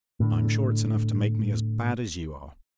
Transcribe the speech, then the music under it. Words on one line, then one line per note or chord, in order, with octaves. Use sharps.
I'm sure it's enough to make me as bad as you are.
A2 D3